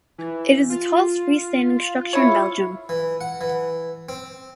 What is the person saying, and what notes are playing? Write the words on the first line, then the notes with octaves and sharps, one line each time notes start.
It is the tallest free standing structure in Belgium.
E3
F4
E4 C#5
E3
F#5
E3
C4